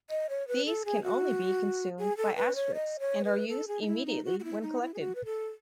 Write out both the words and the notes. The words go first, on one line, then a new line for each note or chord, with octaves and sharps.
These can only be consumed by Asterix, and are used immediately when collected.
D#5
C#5
B4
A4
G#4
F#4
G#4
A4
B4
C#5
D#5
C#5
B4
A4
G#4
D#4
E4
D#4
F#4
F#4
E4
D#4
E4
G#4
F#4
B4
A4